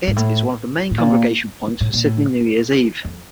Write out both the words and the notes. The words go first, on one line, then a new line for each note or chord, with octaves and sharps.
It is one of the main congregation points for Sydney New Year's Eve.
G#2
A2
A2
A#2
A2
A#2
A2
F2